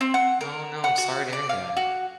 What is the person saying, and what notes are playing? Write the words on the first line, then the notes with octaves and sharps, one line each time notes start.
Oh, no. I'm sorry to hear that.
C4
F#5
A#4
F#5
F#4
D5
F5
F#4